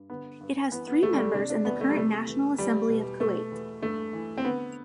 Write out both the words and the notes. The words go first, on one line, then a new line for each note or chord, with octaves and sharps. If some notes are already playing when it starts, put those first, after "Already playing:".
It has three members in the current National Assembly of Kuwait.
Already playing: G2
D3 B3
G2
E3 B3
B3
E3 A3
G3
A3
C3 D4
D4
E2 B3
A3
G3
C3 A3
E2
E2 G3
B2
B2 A3
E2
G2 A3
E3
C4
D3 B3